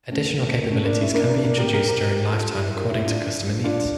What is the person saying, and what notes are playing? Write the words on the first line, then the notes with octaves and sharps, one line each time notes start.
Additional capabilities can be introduced during lifetime according to customer needs.
A3 C#4
A#3
A3
A#3
A3 C#4
A#3 D4
C#4 E4
A#3 D4
A#3 D4
A#3 D4
G4 A#4
G4 A#4
G4 A#4
G4 A#4
F4 A4
E4 G4
G4 A#4
E4 G4
D4 F4
D4 F4